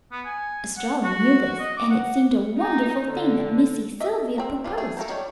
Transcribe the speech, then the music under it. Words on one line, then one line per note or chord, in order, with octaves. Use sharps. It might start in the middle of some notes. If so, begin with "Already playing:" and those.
Estralla knew this, and it seemed a wonderful thing that Missy Sylvia proposed.
B3
G#5
F#5
F#4
D#5
D6
F#5
D#4
D3
D#5 E5
C4 A#5
F3 G3 F4
A3 G#4
A4 A#4 C5
D#3 G3 C#5